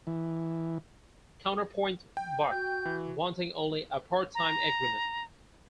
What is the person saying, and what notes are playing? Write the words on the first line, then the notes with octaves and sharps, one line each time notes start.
Counterpoint balked, wanting only a part-time agreement.
E3
G5
F#4 G6
E3
A#5